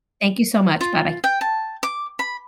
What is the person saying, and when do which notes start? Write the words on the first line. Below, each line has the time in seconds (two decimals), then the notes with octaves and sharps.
Thank you so much, bye-bye.
0.81 F4
1.24 G5
1.41 A5
1.83 D6
2.19 B5